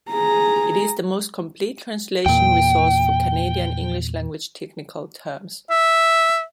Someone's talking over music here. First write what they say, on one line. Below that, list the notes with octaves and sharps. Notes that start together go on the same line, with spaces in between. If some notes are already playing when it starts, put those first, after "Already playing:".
It is the most complete translation resource for Canadian English-language technical terms.
G#4 A#5
E2 A#2 G5
E5